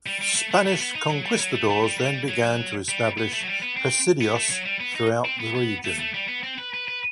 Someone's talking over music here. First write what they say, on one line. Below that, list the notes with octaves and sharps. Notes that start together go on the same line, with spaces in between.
Spanish Conquistadores then began to establish presidios throughout the region.
G3
G3
A3
A3
A3
B3
D#4
F#3
G3
F#3
A3
A3
G3
G3
F#3
G3
B3
A3
F#3
G3
B3
C4
B3
A3
F#3
G3
B3
D#4
C4
B3
B3
A3
A3
G3
B3
C4
B4
B4
B4